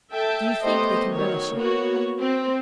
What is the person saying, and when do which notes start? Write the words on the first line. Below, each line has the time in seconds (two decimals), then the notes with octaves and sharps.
Do you think they can relish it?
0.11 A4 E5 G5 A5
0.62 A3 B3 G4 C5 D#5
1.10 D#3 F#3 C#5
1.56 A#3 B3 F#4 C#5
2.19 C4